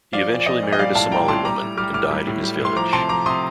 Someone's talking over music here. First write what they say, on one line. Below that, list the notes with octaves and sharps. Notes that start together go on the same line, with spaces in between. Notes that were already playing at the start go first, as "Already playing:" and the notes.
He eventually married a Somali woman and died in his village.
F3 D5 F5
A#2
D5
F3 D#5
A#2
D#5
G3 D5 F5
A2 F5 A5
G3 G5 A#5
A2 A5 C6
G3 A#5 D6
A2
G3 D6 F6
A2 D6 F6
G3
A2
G3
A2 C6
F3 A#5 D6
C3 A5 C6
F3 A#5 D6
C3 C6 D#6